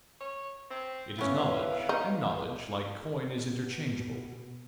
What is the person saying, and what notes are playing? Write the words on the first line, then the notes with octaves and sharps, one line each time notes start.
It is knowledge, and knowledge, like coin, is interchangeable.
C#5
C4
E3 B3 C#4 B4 F5
D#4
B2